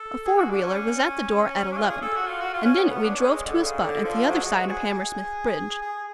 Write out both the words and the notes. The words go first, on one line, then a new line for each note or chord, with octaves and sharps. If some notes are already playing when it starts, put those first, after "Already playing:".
A four-wheeler was at the door at eleven, and in it we drove to a spot at the other side of Hammersmith Bridge.
Already playing: A4
G#4
F#4
D4
C#4
D4
F4
G#4
A4
F#4
F4
F#4
F4
C#4
B3
A3
B3
D4
C#4
G#3
D3
C#3
D3
F3
F#3
G#3
F#4
G#4
G#4